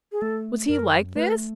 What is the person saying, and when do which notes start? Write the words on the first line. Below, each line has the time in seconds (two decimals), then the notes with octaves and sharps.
Was he like this?
0.12 G#4
0.21 A3 A4
0.68 F#2 A#4
1.16 A3 B4